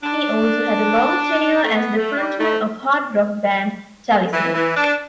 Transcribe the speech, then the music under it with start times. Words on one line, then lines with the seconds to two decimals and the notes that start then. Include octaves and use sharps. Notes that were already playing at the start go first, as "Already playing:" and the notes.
He also had a long tenure as the frontman of hard rock band Talisman.
0.03 D4
1.63 A3
1.74 B3
1.96 A3
2.17 G3
2.38 A3
4.32 E3
4.53 E3
4.75 D4